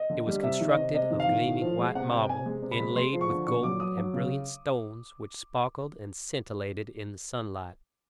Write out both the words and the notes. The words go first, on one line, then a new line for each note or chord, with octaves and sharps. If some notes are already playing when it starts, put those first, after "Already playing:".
It was constructed of gleaming white marble inlaid with gold and brilliant stones which sparkled and scintillated in the sunlight.
Already playing: D#5
D3
G3
C3 E5
D#3
D#5
C3
C3 D#5
D#3
F5
D#3
A2
F3
G#3
C3 F#5
C3 G5
C3 G#5
G#3
C3
B5
G#3
G#3 C6
F3
C#6
D3
A#2 C#6
F#3 D6
F#3 D#6
F#3
C#3